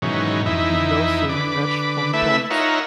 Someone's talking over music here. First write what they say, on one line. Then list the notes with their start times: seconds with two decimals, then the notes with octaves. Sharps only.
He lost the rematch on points.
0.02 G#2 B2 D#3 E3 F#3 C#4
0.46 F2 E3 D#4 E4
1.29 D3 B4 D6
2.13 A3 E4 B4 E5
2.50 D#4 F4 A#4 C#5 E5 F#5